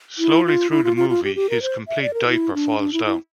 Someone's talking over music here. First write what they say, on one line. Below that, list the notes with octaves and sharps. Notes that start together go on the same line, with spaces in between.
Slowly through the movie, his complete diaper falls down.
E4
F4
E4
F4
F4
F4
G4
G4
A#4
C5
E5
D5
A#4
E4
D4
D4
E4
E4